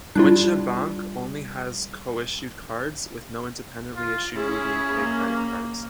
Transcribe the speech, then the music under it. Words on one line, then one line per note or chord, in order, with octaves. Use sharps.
Deutsche Bank only has co-issued cards, with no independently issued UnionPay credit cards.
G3 D4 E4 F4
F4
C#4 E4 G#4
A#3